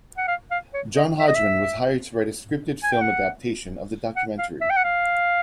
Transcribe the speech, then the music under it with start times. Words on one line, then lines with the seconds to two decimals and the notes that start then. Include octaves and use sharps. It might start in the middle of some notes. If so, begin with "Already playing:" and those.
John Hodgman was hired to write a scripted film adaptation of the documentary.
0.17 F#5
0.28 F5
0.51 F5
0.74 C#5
0.96 D#5
1.19 E5
1.28 D#5
1.35 E5
2.83 G#5
2.92 G5
3.01 F#5
4.16 F#5
4.39 F5
4.61 E5
4.70 G5
4.77 F#5
4.84 F5